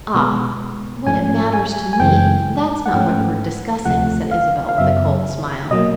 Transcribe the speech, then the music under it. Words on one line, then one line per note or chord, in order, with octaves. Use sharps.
"Ah, what it matters to me--that's not what we're discussing," said Isabel with a cold smile.
B2 G#3 B3
G#2 F3 A3 C#4 G#5
G#5
G#5
F#2 C#3 E3 G#3 G5
F#5
G#2 F3 A3 C#4 G5
D2 C3 F3 A3 F#5
F5
F5
F#2 C#3 F#3 B3 E5
B2 F#3 A#3 D#5